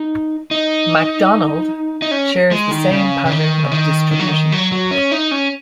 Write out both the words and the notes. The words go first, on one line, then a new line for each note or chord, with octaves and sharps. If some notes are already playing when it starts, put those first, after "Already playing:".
"McDonald" shares the same pattern of distribution.
Already playing: D#4
D#4
D#4
C#4
G#3
D#3
C#3
C#3
D#3
C#3
D#3
D#3
F#3
D#3
F#3
F#3
C#4
D#4
C#4